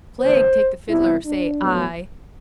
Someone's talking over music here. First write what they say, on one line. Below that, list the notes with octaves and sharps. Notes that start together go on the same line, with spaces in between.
Plague take the Fiddler! say I.
E2 D3 A3 C5
C3 G3 B3 E4
D4
A2 F#3 B3